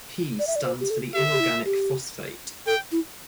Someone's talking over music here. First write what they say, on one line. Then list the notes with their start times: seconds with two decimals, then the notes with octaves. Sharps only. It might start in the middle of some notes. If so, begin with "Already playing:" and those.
P stands for the inorganic phosphate.
0.39 D5
0.47 E5
0.56 D5
0.65 C5
0.80 G4
0.90 A4
1.14 G4 E5
1.32 G4
1.40 E4
1.65 G4
2.66 A4 G5
2.92 E4